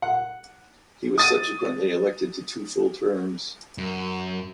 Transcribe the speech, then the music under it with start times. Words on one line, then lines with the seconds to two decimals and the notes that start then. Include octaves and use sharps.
He was subsequently elected to two full terms.
0.02 F#5
1.18 D#6 A6 D#7
3.78 F#2